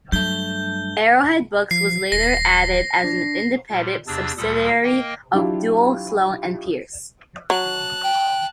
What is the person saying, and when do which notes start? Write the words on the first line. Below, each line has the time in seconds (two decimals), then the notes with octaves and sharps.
Arrowhead Books was later added as an independent subsidiary of Duell, Sloan and Pearce.
0.12 G2 F#3 A3 G6 G7
1.71 F3 C7
2.12 D#1 A#6
3.04 D4
3.71 A#2 G3
4.07 E2 C3 D4 G#4 E6 A6
4.37 D2 A#2 G3 A4 D#6
4.83 A#3 A#4 D#5 G5
5.33 F#3 D4 E4 F4 G4
7.50 F#3 A5 F#6
8.04 G5